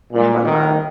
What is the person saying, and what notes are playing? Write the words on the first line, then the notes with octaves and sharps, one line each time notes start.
They have a lot.
A#2
D#3